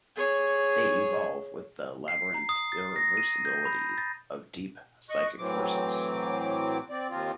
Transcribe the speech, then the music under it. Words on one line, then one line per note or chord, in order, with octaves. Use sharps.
They evolve...with the labyrinthine irreversibility of deep psychic forces.
G#4 C#5
C7
A#5
D#6
A6
A#6
D#7
G6
B5
A6
D#5 C#6 F#6
A2 E3 F#3 C4 D6
C4 D5
D#2 F3 C4 F4